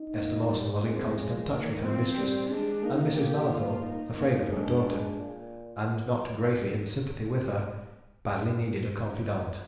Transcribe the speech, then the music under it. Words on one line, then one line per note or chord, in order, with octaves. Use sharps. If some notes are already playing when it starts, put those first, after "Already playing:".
Esther Mawson was in constant touch with her mistress, and Mrs. Mallathorpe, afraid of her daughter, and not greatly in sympathy with her, badly needed a confidante.
Already playing: D#4
A#3
G3
G#3 C4
F3
D#3 A#3
F3 C4
G3
G#3 D4
A#3 D#4
A#3 G4
F4
D#4
A#3
G#3 D4
A#2